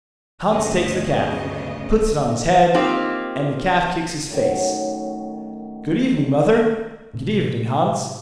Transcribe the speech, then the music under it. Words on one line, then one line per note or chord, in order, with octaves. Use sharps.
Hans takes the calf, puts it on his head, and the calf kicks his face. 'Good evening, mother.' 'Good evening, Hans.
D2 G2 C#3 B3 D#5
A#3 C4 D#4 F4 G4
F#2 A2 D#3 F#4
A2 C3